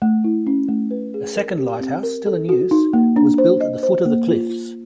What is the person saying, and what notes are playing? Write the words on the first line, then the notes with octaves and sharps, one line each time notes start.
A second lighthouse, still in use, was built at the foot of the cliffs.
A3
E4
C#4
A3
B4
G#4
A#4
G4
C4
A#4
A4
F#4
D#4
A#3
D4
C5
D#5
C5
A#3
F4
F4